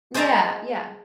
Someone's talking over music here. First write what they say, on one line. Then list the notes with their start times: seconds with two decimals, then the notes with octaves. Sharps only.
Yeah, yeah.
0.14 G#4 C5 D#5 E5 A5 A#5